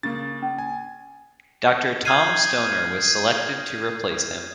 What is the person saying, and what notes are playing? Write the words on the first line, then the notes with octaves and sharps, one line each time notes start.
Doctor Tom Stoner was selected to replace him.
C#3 A#3 A6
C#4
G#5
D#6 F6 G6 G#6 C7 D#7